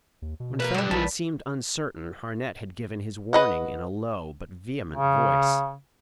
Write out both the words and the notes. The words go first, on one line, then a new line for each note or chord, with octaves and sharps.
When Feldman seemed uncertain, Harnett had given his warning in a low but vehement voice.
D#2
B2
E3 A#3 A#4 B4
G2 D3 G3
A#1 G2 D#3 E3 B4 A5
B4 D#5 F#5
C#3